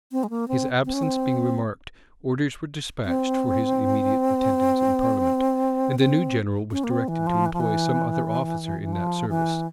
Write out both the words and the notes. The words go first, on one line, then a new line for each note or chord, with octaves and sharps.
His absence being remarked orders were despatched for his immediate attendance in parliament; and the new general was directed to employ some other officer in that service.
C4
G#3
A#3
C4
C4
C#4
C4
C4
C4
C#4
A#3
C4
E3
F3
E3
F3
E3
F3
E3